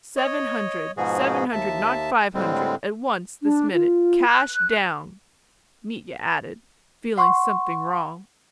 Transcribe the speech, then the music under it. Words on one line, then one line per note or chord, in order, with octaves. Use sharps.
"Seven hundred, seven hundred, not five hundred, at once, this minute, cash down!" Mitya added, feeling something wrong.
C#5 D#5
G#2 B2 F3 F#4 G#4
D#2 E5 A5
A2 D3 G3 G#3 C4
D4
F4
F#6
F#5 C6 C#6